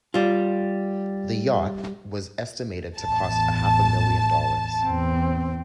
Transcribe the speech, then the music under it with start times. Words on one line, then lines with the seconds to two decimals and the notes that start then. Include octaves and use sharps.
The yacht was estimated to cost a half a million dollars.
0.14 G3 F4
2.98 A1 E2 A5
4.83 E2 C4